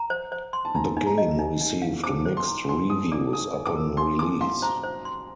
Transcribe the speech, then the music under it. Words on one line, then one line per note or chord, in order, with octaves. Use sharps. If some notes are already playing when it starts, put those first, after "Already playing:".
The game received mixed reviews upon release.
Already playing: A#5
C5
C5
C6
A5
D#4 A#5
D#4
A#5
D#5
D#4
D#4
F5
C5 D6
C5
C6
A#5
D#4 C6
D#4 D#6
D5 D6
D#4 D#6
D#4
D6
A#4
D#4 C6
D#4 D6
F5 C6
C5 A#5
C5
C6